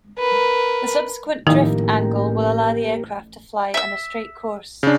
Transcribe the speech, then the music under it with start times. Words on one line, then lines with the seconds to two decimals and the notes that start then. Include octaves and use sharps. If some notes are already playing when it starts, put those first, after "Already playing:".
The subsequent drift angle will allow the aircraft to fly on a straight course.
0.19 A#4 B4
1.47 A1 D#3 F3 A#3 D#4 E4 G4 A#4
3.74 E5 E6
4.83 C#3 D4